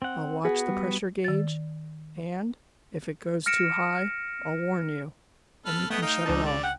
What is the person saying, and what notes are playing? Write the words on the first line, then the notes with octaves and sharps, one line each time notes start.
"I'll watch the pressure gauge, and, if it goes too high, I'll warn you, and you can shut it off."
C4 F#5
B3 F#4 G#4
G3
D#3 A6
F6 A#6 C#7 D7 E7
A4 B4 F6
A3 B3 D#5 E5 G5
D#4 F5 G5
C#2 D3 G3 D4 A5
D5
F#5 G5